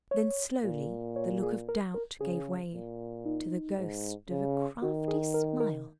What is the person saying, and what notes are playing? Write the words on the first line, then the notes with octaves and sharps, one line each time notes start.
Then slowly the look of doubt gave way to the ghost of a crafty smile.
C#5
A#2
C#5
G#4
A#4
A#4
C#3 G#4
A#2
D#4
G#2
C#3
D#3 F#4
G#4
A#4
A#4